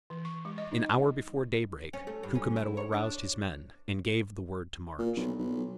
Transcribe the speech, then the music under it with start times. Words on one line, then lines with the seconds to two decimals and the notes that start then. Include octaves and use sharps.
An hour before daybreak, Cucumetto aroused his men, and gave the word to march.
0.10 E3
0.25 C#6
0.45 G#3
0.58 D#5
0.72 D#4
1.93 C#4
2.07 A3
2.23 G2
2.35 C#4
2.56 E4
2.77 C#5
2.92 D4
4.99 A#2
5.17 B1
5.39 B1